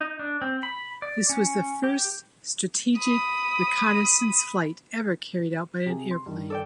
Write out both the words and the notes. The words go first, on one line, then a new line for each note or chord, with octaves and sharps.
This was the first strategic reconnaissance flight ever carried out by an airplane.
D#4
D4
C4
B5
D5
C#4
G4
B5 D#6
C3 G#4
C6
G2 D#3
A4 D5 G5